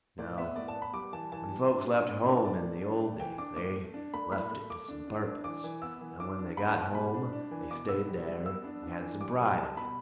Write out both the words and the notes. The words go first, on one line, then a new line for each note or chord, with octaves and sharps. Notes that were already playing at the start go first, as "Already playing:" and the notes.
No: when folks left home in the old days they left it to some purpose, and when they got home they stayed there and had some pride in it.
A2 D5
B3 E5
A2 D5
A5
B3
B5
G3 D6
E3 A5
E3 A5
G3
D4
D4
B3
D3
A2 D5
A3
D4
A3
E3 G5
D4 D6
A2 D6
A3
D4
A3 B5
A2 B5
A3
A3 D6
D4
D4
D4
E3 D6
E3
B3 E6
E3
D4 D6
D4
B3 B5
A5
B2
A5
G3 B5
D4
D4
E3
B2 D6
B3 E6
G3
G3
B3 E6
D4
D4
E3
G3 D6
G3
G3 A5
B2 B5